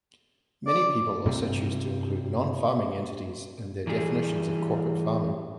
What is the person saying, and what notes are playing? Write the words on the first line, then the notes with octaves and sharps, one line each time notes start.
Many people also choose to include non-farming entities in their definitions of corporate farming.
D5
G2 C3 G3 C4
E3 G3 G#4